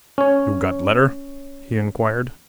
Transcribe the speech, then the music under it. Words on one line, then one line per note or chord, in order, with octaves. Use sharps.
"You got letter?" he inquired.
C#4 C#5